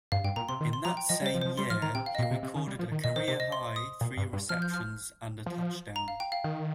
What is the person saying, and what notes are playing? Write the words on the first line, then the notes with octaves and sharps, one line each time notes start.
In that same year he recorded a career-high three receptions and a touchdown.
G2 F5
G2 G5
A#2 A#5
C3 C6
D#3
C6
F3 A#5
G5
F3 D#5
G3
C5
F3
C5
F3
G3 C6
F3 F6
D#3 A#5
C3 G5
F5
D#5
A#2
F5
C3
C3
D#3
G3
F3
D#3
A#2 D#5
D#3 C5
C3 C5
D#5
C6
D#6
A#2
G2
G2
F3 F6
G6
F6
F3
A#5
F5
G5
F5
D#3